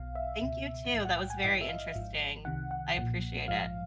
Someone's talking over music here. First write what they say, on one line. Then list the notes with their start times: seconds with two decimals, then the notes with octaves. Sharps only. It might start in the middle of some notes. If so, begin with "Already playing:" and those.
Thank you, too. That was very interesting. I appreciate it.
Already playing: B1 B2 F5
0.15 E5
0.40 C#2 B2
0.91 B1 A2 E3
1.05 F#5
1.18 G5
1.30 G#5
1.44 A#1 G#2 E3 D#5
1.61 E5
1.69 F5
1.94 G#1 G#2 F3
2.45 C2 C3 D#3 F#5
2.71 F#5
2.97 B1 A#2 F3
3.48 A#1 G#2 F3 F5